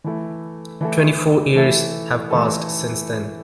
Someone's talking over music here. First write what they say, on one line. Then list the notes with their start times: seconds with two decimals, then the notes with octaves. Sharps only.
Twenty-four years have passed since then.
0.04 E3 A3 E4 A4
0.81 E3 A3 E4 A4
1.55 E3 A3 E4 A4
2.30 E3 A3 E4 A4